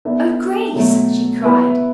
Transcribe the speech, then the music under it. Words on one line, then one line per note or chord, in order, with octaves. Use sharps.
"Oh, Grace," she cried.
B3 D4 A4 E5
B2 F#3 A3
B3 E4 B4 E5